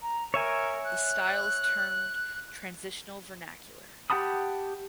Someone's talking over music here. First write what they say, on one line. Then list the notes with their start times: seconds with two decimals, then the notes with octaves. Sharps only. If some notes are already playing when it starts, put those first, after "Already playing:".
The style is termed "transitional vernacular".
0.01 A#5
0.34 A#4 C#5 E5 G#5
0.83 F#6
4.10 G4 F#5 A5 B5 D#6